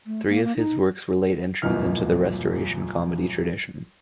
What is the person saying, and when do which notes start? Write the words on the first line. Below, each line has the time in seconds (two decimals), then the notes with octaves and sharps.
Three of his works were late entries into the Restoration Comedy tradition.
0.06 A3
0.28 A#3
0.44 A#3
0.57 D#4
1.62 D#1 A1 F#2 B2 F6